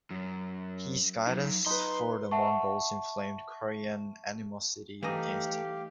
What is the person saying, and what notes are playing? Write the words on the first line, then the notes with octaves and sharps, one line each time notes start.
His guidance for the Mongols inflamed Korean animosity against him.
F#2
F#3 D#4
D#4 B4 C6
E5 F#5 A5 C#6
E3 G3 A3 D#4 G4 F5